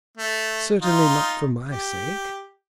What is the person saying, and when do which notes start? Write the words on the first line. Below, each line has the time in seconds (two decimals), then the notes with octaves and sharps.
"Certainly not for my sake."
0.17 A3
0.81 D#4 F4
1.71 G4